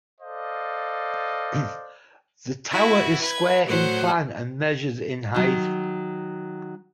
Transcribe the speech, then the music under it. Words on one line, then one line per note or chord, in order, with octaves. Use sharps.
The tower is square in plan and measures in height.
A4 C5 D5 D#5 F5
E4 F#4 E5
B4 G#6
A2 F#3 C5 F#5
D#3 F#3